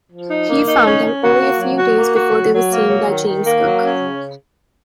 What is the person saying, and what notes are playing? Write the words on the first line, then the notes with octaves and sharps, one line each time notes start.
He found them only a few days before they were seen by James Cook.
F3
D#4
A#3
D#4
C#4
C#4
F#4
A#3
F#3
F#4
A#3
F#4
F#3
F#3
A#3
F#3
D#3
D#3
A#3
F#3
C#4
C#3